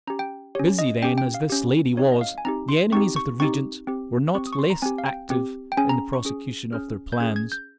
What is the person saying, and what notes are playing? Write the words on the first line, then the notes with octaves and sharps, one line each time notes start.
Busy, then, as this lady was, the enemies of the regent were not less active in the prosecution of their plans.
C#4 G4 A#5
G5
C#4 G4 C#5
D#5
C#4 G4 G5
G5
F5
C#4 G4
C4 D#4 G4 C#5
D#5
F5
G#5
C4 D#4 G4 A#5
C6
C4 D#4 G4 C#6
C#6
C4 D#4 G4 C#6
C4 G4
C4 G4 C#6
D#6
C#6
C6
A#5
C4 G4 G#5
F5
G5
C4 G4
G5
C#4 G#4 G#5
A#5
C#6
C#4 G#4
C#4 G#4 F6
G6
C#4 G#4 G#6
G#6
G6